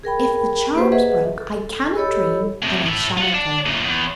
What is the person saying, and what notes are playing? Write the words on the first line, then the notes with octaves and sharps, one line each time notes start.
'If the charm's broke, I canna dream, and I shanna go.'
G#4 A#4 G5 B5
A#3 G4 G#4 B4 C5
G#4 B4 D#5 E5 F#5
A4
G4 A4 C#5 D#5 B5 E6
A2 C3
A2 E5
F4 F#5
D5 A5
F#2 A#2
E2